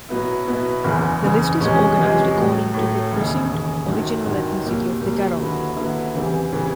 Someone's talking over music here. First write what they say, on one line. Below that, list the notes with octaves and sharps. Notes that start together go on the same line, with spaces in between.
The list is organized according to the presumed original ethnicity of the carol.
B2 F#3 B3 E4
B2 F#3 B3 E4
F#1 E2 C#3
F#1 E2 C#3
E2 C3 F3 G#3 C#4
E2 C3 F3 G#3 C#4
A2 F#3 A3
A2 F#3 A3
E1 D#2 C#3
E1 D#2 C#3
G1 F#2 D#3 F#3
G1 F#2 D#3 F#3
C2 A#2 F#3 A#3
C2 A#2 F#3 A#3
D#2 D3 F#3 B3 E4
D#2 D3 F#3 B3 E4
E2 C#3 E3 G3 C4
C#3 E3 G3 C4